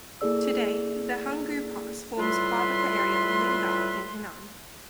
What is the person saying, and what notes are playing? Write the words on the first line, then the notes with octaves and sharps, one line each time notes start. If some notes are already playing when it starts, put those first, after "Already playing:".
Today, the Hangu Pass forms part of the area of Lingbao in Henan.
A#3 E4 G#4 A4 D5 E6
A2 G3 F4 B4 E5 C6